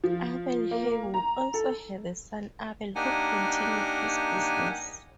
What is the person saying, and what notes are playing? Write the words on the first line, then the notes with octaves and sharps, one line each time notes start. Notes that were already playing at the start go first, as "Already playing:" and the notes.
Abel Heywood also had a son Abel who continued his business.
F3
A#3
A#5
A4
A#3 D4 D#4 G4 F#5 G#5